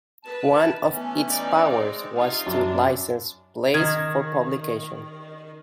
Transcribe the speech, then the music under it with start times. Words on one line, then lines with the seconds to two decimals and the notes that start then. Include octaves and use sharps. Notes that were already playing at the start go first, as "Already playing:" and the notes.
One of its powers was to license plays for publication.
0.24 B4 A5
0.91 E3 A3 B3 C#4
1.28 D#4 D5
1.64 G#3 C4
2.17 C3 D#4 F4
2.46 F#2 D4
3.74 D#3 G#6